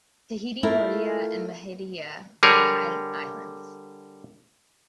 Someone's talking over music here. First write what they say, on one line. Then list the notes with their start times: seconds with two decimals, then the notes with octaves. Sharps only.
Tahiti, Moorea, and Mehetia are high islands.
0.63 A3 E4 F4 A4 A#4
2.43 D3 G3 G#4 A#4 C#5